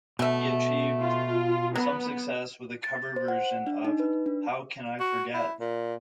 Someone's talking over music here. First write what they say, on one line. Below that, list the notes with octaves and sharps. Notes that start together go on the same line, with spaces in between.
He achieved some success with a cover version of How Can I Forget?
B2 A3 E5
F4
F#3 B3
A6
C5
F#5
D4
D#4
B4
D4
F#4
E4
A#2